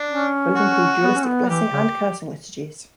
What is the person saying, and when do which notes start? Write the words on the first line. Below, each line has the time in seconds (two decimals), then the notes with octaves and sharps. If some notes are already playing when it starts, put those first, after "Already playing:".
Both include dualistic blessing and cursing liturgies.
Already playing: D4
0.10 C#4
0.55 F#4
1.03 B3
1.15 C#4
1.26 B3
1.49 E3 G4
1.72 C#3